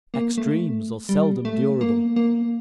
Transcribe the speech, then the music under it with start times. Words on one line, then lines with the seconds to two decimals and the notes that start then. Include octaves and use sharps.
Extremes are seldom durable.
0.14 A#3
0.38 A3
1.09 G3
1.45 A3
1.81 A#3
2.16 A#3